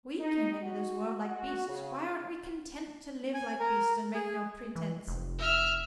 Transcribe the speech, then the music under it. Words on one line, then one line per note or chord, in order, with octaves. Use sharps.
We came into this world like beasts--why aren't we content to live like beasts, and make no pretenses?
D#4
F#4
F#4
C#3
G#5
A#4
G#4
E3
F1
E5 F6